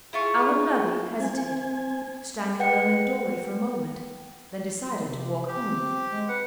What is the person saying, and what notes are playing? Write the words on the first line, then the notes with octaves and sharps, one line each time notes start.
Alvan Hervey hesitated, standing alone in the doorway for a moment; then decided to walk home.
E4 F4 G#4 C#6
C4 G#5
B4 F#5 G5 C#7
C3
G4
C4
G#3
B4 F#5